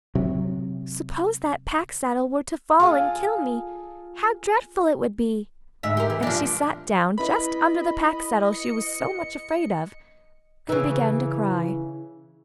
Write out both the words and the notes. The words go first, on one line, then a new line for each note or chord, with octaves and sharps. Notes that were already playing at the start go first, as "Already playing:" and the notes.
'Suppose that pack-saddle were to fall and kill me, how dreadful it would be!' and she sat down just under the pack-saddle she was so much afraid of, and began to cry.
C3 F#3
F4 G#4 A4
D2 G#2 E5
G4 A#4
E3
F3 D4
E4 B4 D#5 B5
C#7
C#3 E3